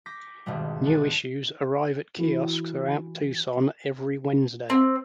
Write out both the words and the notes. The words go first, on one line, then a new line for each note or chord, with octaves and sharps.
New issues arrive at kiosks throughout Tucson every Wednesday.
D6 G6 A#6 B6
G#1 G2 B2 G3
D4
E3 F#4
C4